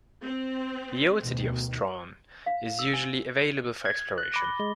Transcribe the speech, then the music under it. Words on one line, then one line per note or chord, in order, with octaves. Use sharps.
The old city of Strawn is usually available for exploration.
C4
D2 B2 D#3
F5
E6
G#5
G#6
F#6 A6
B5 D6 A#6
G7
G#3 G7